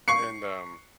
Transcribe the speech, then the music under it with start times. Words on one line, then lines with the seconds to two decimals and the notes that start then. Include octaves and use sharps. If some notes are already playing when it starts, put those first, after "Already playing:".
and, um,
0.08 C#6 C7 C#7